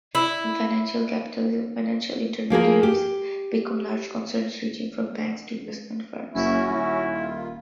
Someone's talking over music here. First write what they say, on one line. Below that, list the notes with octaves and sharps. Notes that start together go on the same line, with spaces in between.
In financial capitalism, financial intermediaries become large concerns, ranging from banks to investment firms.
E4
F3 A#3 G#4 A#4
G4
F#1 C#4 E4 F#4
D#1 E4
D#3 F4